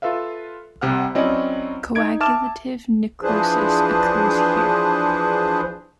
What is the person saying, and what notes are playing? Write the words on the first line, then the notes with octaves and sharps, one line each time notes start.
Coagulative necrosis occurs here.
F4 A4 B4 E5 F5
C2 C3 F#5 G5 F6
F#3 C4 C#4 E4 D5 D#5
D#4 G#6 D7
E5 A5 D6 F6 E7
E3 F3 D4 G#4 B4 C5